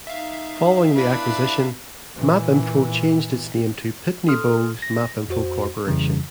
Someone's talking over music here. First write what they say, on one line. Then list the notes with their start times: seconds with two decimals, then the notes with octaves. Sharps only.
Following the acquisition, MapInfo changed its name to Pitney Bowes MapInfo Corporation.
0.07 D#4 E5 F5
0.95 D4 E4 B4
2.15 A#2 E3
4.28 A4 C6 D#6 F6
4.82 A#6
5.28 F2 F#4 C5
5.86 F2 C#3 E3 G3